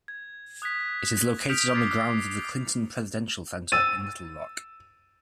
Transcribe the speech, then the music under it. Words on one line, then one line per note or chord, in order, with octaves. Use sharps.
It is located on the grounds of the Clinton Presidential Center in Little Rock.
G#6
D#6 F#6 G#6 B6
D#6 F6 G6 B6 D7 F7
D6 F6 G#6 A6 B6 C7
E6 A6 D#7